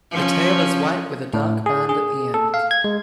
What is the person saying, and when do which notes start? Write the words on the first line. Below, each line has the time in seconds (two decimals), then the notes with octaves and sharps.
The tail is white with a dark band at the end.
0.12 F3 C#4
1.34 A2
1.66 G#4
1.89 G#4
2.34 A4
2.54 F5
2.71 G#6
2.84 G#3